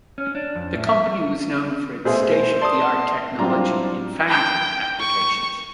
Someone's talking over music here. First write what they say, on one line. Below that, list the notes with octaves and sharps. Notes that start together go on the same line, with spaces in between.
The company was known for its state of the art technology in foundry applications.
C#4
D4
F2
A2
E5
B2 A3 G#4 C5 E5
D5 A5 C6 D#6
F#3 G3 C4 D4 E4 F4 A#5
G5
C#6